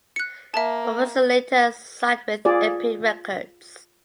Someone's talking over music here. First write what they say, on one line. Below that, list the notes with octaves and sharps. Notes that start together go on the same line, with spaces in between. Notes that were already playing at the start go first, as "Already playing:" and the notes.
Robertson later signed with Epic Records.
F#6 C#7
A#3 E5 A5
F4 G#4 D5